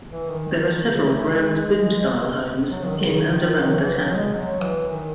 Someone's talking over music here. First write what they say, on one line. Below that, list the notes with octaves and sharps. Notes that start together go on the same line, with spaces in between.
There are several grand "boom style" homes in and around the town.
E3
D#3
D#3
D#3
C#3
A3
G#3
F#3
D#3
C#3
D#3
D#3
F#3
E3
F#3
F#3
G#3
F#3
E3
D#3